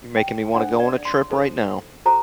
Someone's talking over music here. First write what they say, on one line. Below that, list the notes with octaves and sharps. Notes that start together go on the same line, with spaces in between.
You're making me wanna go on a trip right now.
G5
D4 A4 C5 F#5
D5
C6
D#4 A4 C5
F#4 A4 C5 A#5